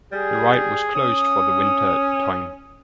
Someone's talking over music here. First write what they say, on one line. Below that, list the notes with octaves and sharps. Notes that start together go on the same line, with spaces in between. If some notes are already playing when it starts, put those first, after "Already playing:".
The ride was closed for the winter at the time.
G3 G#4
C#4 D#6